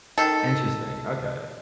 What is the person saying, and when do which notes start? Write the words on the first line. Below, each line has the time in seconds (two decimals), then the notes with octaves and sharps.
Interesting, okay.
0.18 D#3 A4